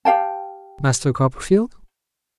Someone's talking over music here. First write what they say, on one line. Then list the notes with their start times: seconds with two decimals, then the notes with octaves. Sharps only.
'Master Copperfield?'
0.05 G4 F5 G5 A5